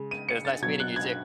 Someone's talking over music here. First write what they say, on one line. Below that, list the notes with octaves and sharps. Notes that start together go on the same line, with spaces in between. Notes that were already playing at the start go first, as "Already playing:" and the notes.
It was nice meeting you too.
Already playing: C#3 G#3
D#7
C#7
A6
B2 F#3 G#6
F#6
G#6